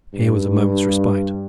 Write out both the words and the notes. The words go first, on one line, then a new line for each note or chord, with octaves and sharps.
Here was a moment's respite.
G2